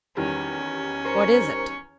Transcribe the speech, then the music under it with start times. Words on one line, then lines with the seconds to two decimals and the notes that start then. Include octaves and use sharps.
"What is it?"
0.17 E2 D#3 G3 C#4
1.05 A#4 C5 A#5 C#6